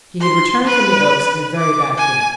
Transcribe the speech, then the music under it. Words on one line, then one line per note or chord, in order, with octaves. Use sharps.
He had returned from the Oaks in a very bad humour.
C6
B4
D6
G#5